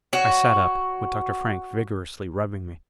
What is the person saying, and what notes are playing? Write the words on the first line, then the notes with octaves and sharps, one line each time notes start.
I sat up, with Dr. Frank vigorously rubbing me.
F#4 C#5